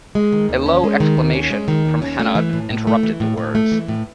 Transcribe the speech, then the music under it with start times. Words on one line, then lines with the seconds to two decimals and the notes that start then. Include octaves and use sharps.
A low exclamation from Hanaud interrupted the words.
0.15 G#3
0.32 D#3
0.49 D#2
0.66 C#4
0.84 G#3
1.00 D#3
1.17 D#2
1.33 C#4
1.50 G#3
1.68 D#3
1.85 D#2
2.02 C#4
2.19 A3
2.35 E3
2.53 A2
2.70 A2
2.87 A3
3.03 E3
3.20 A2
3.37 A2
3.55 A3
3.72 E3
3.88 A2